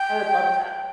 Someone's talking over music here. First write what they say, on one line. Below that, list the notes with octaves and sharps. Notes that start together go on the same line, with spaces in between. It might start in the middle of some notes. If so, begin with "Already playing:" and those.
I would love that.
Already playing: G5